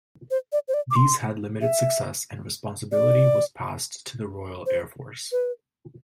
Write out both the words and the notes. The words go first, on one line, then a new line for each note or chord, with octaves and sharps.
These had limited success and responsibility was passed to the Royal Air Force.
C5
D5
C5
D5
D6
C6
E5
D5
C5
B4